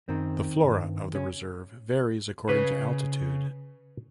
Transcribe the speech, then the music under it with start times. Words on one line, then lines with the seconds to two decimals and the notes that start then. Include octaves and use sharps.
The flora of the reserve varies according to altitude.
0.09 F#2 D#3 C4
0.64 G2
1.15 C#3 C#4
2.49 C#3 B4